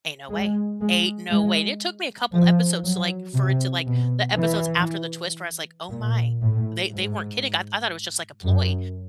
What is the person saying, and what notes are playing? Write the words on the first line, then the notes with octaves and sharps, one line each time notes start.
"Ain't no way, ain't no way," and it took me a couple episodes to, like for it to, like the episodes after the twist where I was like, "Oh my, they they weren't kidding," I I thought it was just like a ploy.
G#3
G#3
G#3
F3
F#3
C3
B2
E3
A#2
A2
G#2
F#2